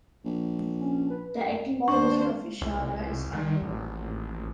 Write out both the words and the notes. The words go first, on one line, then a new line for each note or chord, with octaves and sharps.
The etymology of Ishara is unknown.
A#1
C#4
B4
D#2 D4 C5 C#6
C2
D#3
A1